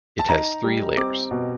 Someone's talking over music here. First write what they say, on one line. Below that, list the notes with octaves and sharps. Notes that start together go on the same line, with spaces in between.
It has three layers.
A5
D#4 A#5
G3
C4 D6
B2